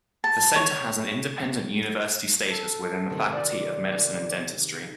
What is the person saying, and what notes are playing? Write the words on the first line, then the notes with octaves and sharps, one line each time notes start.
This centre has an independent University status within the Faculty of Medicine and Dentistry.
A5
C#5
A4
C3 D#3
D5